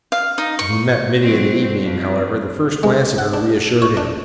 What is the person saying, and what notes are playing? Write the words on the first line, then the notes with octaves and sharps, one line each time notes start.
When he met Minty in the evening, however, the first glance at her reassured him.
F5
D#4
C#6
F#3 C4
F2
G#3
F#5
D4
C#5
D4